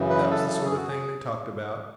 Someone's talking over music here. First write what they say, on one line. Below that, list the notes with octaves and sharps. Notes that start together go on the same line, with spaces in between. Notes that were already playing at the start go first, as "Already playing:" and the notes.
That was the sort of thing they talked about.
Already playing: F#2 C#3 E3
B4
A4
A4
G#4
F#4
G#4